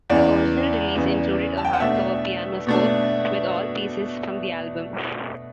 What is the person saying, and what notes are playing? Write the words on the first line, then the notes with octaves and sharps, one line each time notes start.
The original release included a hard-cover piano score with all pieces from the album.
E2 C#3 E3 B3 D5
E2 C#3 E3 B3
A5
G5
F#5
B2 A3 D4 E5
B2 A3 D4